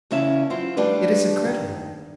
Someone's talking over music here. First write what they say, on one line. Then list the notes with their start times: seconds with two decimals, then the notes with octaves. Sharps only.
It is incredible!
0.11 E2 C#3 C#4 E4 E5 A5
0.50 F#3 C4 E4 F4
0.77 F3 G3 A3 D4 G4 B4
1.45 D#3